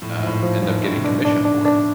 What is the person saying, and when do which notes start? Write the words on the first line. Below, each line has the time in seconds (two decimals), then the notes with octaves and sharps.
uh, end up getting commission for it.
0.02 A2 F3
0.15 G#2
0.23 A2 F3
0.43 F3
0.63 G#2 F3
0.78 G#2
0.83 A2 D4
0.96 C#3
1.03 B2 D4
1.25 D4
1.45 D4
1.66 D4